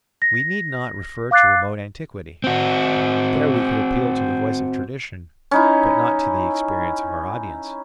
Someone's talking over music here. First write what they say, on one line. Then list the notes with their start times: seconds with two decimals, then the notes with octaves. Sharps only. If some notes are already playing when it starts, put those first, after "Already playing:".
We need not refer to remote antiquity: there we could appeal to the voice of tradition, but not to the experience of our audience.
0.22 A#6
1.31 F5 D6 F#6 A6 C7
2.44 C4 F#4
5.51 C#4 D#4 E4